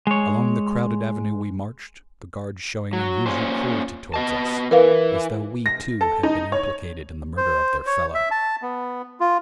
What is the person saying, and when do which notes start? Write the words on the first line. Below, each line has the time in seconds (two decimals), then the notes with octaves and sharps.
Along the crowded avenue we marched, the guards showing unusual cruelty toward us, as though we, too, had been implicated in the murder of their fellow.
0.07 G#3 C#5
2.93 F#3
3.26 A#2 C#4 C5
4.14 B3 D#5 A5
4.71 E3 A#4 B4 F5
5.66 A#6
6.01 A4
6.23 D#4
6.52 C#5
7.37 C5
7.86 C#5
8.14 E5
8.31 A5
8.62 B3
9.20 F4